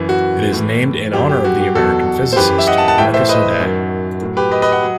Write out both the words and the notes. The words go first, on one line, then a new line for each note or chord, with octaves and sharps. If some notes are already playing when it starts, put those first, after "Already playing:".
It is named in honour of the American physicist Marcus O'Day.
Already playing: F#2 E3
F#4
A2 E3
F#2 F#3 G4
G4
F#4
G4
E2 B2 F#3 F#4 A4
C5
F#2 E3 G4 B4
E5
D#5 F#5
F#5 A5
F#5 A5
A2 E3 E5 G5
C5 E5
B4 D#5
F#2 D#3 F#3
A2 F#3
G4 B4
B4 D#5
B4 D#5
D#5 F#5
F#3